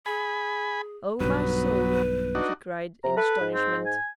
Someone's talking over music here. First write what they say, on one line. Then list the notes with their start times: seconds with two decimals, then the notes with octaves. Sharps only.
"Oh, my soul!" she cried in astonishment.
0.06 G#4 G#5 B5
1.20 B1 G2 F#3 B3 B4
2.35 D4 D#4 F#4
3.04 C3 A#5
3.17 A4 B4
3.40 G#2
3.54 C4
3.86 G#5